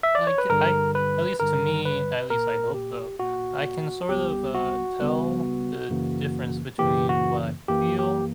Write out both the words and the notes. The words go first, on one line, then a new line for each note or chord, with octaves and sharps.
I c I at least to me at least I hope so, I can sort of, uh, tell the difference between what I feel,
E5
D5
C#5
B4
G2 D3 G3 A#4
B4
G2 D3 G3 A#4
B4
A#2 A#3 A#4
G4
A#2 A#3 F#4
C#2 C#3 G3 B3 G4
F#4
C#2 C#3 G3 B3
F#2 C#3 E3 A#3
F#2 C#3 E3 A#3 G4
F#4
F#2 E3 A#3 G4
G4